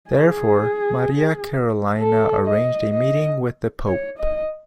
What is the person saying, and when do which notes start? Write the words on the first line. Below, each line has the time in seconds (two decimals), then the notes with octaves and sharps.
Therefore, Maria Carolina arranged a meeting with the Pope.
0.10 G#4
1.99 A4
2.46 D#5
2.93 D#5
3.87 C#5
4.18 D#5